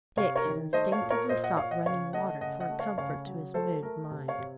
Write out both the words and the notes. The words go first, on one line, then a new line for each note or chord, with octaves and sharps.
Dick had instinctively sought running water for a comfort to his mood of mind.
C3 C#5 F5
A#4 C#5
D#3
A3 C5 D#5
C#5 F5
A#2
A#4 C#5
A#2 C5 D#5
D#5 F#5
A#2 C#5 F5
D#5 F#5
C#3 C#5 F5
A3 D#5 F#5
C#3 D#5 F#5
D#5 F#5
A3
C#5 F5
C#3 C#5 F5
F#3
A3 A4 C5
A3 A#4
C3
C#5 F5
C3